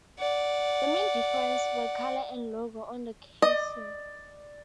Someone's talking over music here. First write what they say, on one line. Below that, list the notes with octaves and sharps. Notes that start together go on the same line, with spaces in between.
The main difference were color and logo on the casing.
D5 F#5
D5 D#5